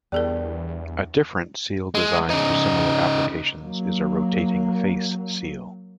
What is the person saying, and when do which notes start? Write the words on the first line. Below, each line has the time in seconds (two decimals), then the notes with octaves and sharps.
A different seal design for similar applications is a rotating face seal.
0.12 E2 G3 B3 D4 G#4 A#4
1.95 G#3
2.30 C#3 D#4
3.63 F#3 A#3